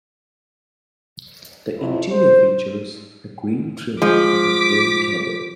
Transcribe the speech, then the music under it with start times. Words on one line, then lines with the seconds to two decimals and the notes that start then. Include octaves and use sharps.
The interior features a green trim and an airy cabin.
1.77 F2 F#3 E4
2.11 C5
4.02 F3 G#3 D6 B6